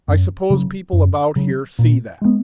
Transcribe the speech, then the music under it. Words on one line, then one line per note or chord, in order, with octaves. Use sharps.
"I suppose people about here see that."
F#2
C#3 F#3
F#2
C#3 F#3
A#2
G#3 B3